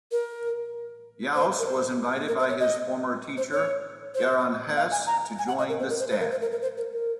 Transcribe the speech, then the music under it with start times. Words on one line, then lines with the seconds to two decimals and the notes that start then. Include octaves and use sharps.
Jauss was invited by his former teacher Gerhard Hess to join the staff.
0.12 A#4
1.35 C5
1.59 A#4
1.66 C5
2.28 A#4
2.39 C5
2.49 C#5
2.60 D#5
3.37 C5
3.53 C#5
4.15 C5
4.77 F5
4.92 G#5
5.07 A#5
5.39 G#5
5.48 F#5
5.59 D#5
5.69 A#4
5.79 C5
5.90 A#4
6.00 C5
6.10 C5
6.20 A#4
6.31 C5
6.41 A#4
6.52 A#4
6.62 C5
6.78 A#4
6.93 A#4